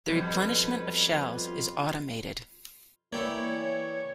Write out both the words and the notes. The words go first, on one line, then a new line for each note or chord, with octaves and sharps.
The replenishment of shells is automated.
F2 B2 G3
B4
F4
E3 A#3 E4 G4 C#5 D5